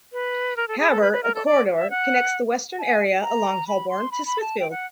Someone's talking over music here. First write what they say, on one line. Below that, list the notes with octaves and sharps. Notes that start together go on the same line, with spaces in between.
However a 'corridor' connects the western area along Holborn to Smithfield.
B4
A#4
A4
G#4
A4
B4
B4
A#4
A4
D5
E5
F#5
A5
G#5
A#5
B5
C6
B5
B5
A5
G5
F#5